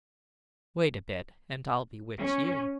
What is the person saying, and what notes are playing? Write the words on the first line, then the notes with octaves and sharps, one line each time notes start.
Wait a bit, and I'll bewitch you!'
C#4